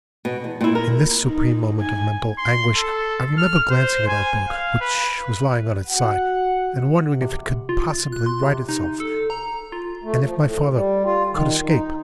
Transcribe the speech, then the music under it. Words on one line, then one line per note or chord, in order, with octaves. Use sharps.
In this supreme moment of mental anguish, I remember glancing at our boat, which was lying on its side, and wondering if it could possibly right itself, and if my father could escape.
B2
E2
A#2 E4
A#4
D#4
G#5
C6
A4
F6
C5
G#5
F5
B4
F#4 F#5
C3
F4
F#6
C6
C3
D#4
A4
A#5
F4
A3
F3
A2
G3
F4
D#3
D#4